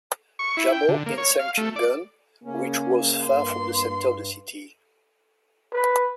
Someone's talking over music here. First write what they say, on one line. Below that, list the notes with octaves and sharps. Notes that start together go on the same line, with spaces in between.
Jamo in Suncheon-gun, which was far from the centre of the city.
C#6
E4
G5
D3
A#3
C#5
F5
A3
D5
C#3 A#3 C#4
G2 C6
B4